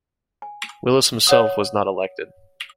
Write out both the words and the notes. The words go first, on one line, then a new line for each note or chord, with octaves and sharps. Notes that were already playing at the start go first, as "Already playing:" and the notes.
Willis himself was not elected.
G#5
C#5 F#5 D#6